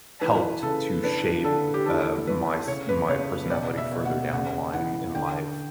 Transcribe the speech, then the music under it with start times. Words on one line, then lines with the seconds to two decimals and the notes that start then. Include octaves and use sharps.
helped to shape, uh, my s my personality further down the line in life.
0.21 E3 B4
0.63 C#3 A4
1.04 D4 B4
1.45 D3 A4
1.74 G4
1.86 E3 A4
2.27 A3 B4
2.68 C#3 C#5
2.89 B4
3.09 C#3 C#5
3.50 B2 D5
3.77 E5
3.92 B2
4.05 F#5
4.33 C#3 F#5
4.73 E3 F#5
5.15 D3 G5